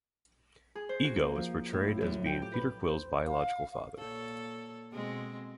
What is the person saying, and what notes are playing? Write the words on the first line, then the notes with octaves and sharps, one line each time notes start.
Ego is portrayed as being Peter Quill's biological father.
G#4
C5
F#4
A#3
F3
A2
F#2
G5
G4
B4
C5
F5
A#2 A4 C#5
B2 G#3 C4